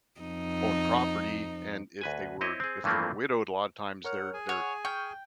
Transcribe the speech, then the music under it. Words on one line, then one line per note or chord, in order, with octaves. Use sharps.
own property, and if they were if they were widowed, a lotta times, their their
F2 D#4
D2 B4 G#5
C4 E4 C#5 D#5
C4 G#4
G2 E3 F3 A3 A#3 C4
A#4 C#5 F#5 F6
G#4 G#5
C#5 F#5
G5 C#6 F6 G6